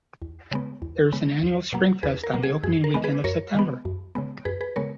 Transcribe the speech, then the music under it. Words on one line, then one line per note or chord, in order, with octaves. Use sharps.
There is an annual Spring Fest on the opening weekend of September.
E2
C#3 G#3 B3
E2
C#3 G#3 B3
E2
B2 F#3 A#3
E2 G#4 B4
A#4
B2 F#3 A#3
G#4
F#2 G#4
A#4
D#3 G#3 B3
G#4 B4
F#2 A#4 C#5
D#3 G#3 B3
F#2
C#3 G#3 B3
F#2 G#4 B4
G#4 B4
C#3 G#3 B3 A#4 C#5